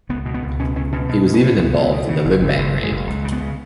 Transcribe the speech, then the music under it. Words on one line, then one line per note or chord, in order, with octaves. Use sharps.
He was even involved in the Limbang raid.
C#2 B3
B2
B3
C#2
B2 C#4
C#2 C#4
B2 C#4
B2 B3
B2
C#4
B2
C#2 B3
C#2
B2
C#3
F#1
F#1
F#1
F#2
G#3
F#1
C#2
C#3
B3
C#3